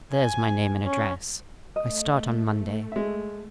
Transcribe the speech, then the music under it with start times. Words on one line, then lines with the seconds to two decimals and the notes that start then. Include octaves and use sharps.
There's my name and address; I start on Monday.'
0.11 G#5
0.85 C#4
1.76 A3 D#5
2.92 G#3 E5